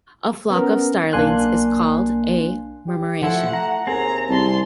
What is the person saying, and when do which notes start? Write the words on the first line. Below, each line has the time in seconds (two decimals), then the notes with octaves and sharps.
A flock of starlings is called a murmuration.
0.50 B3 C#4 A#4
1.13 B1 A#3 D4 G#5 C6 F#6
2.88 G4
3.23 F3 A3 E4 F#5
3.53 A#5
3.87 D#2 C4 G#4 A#5
4.29 C2 A5 C6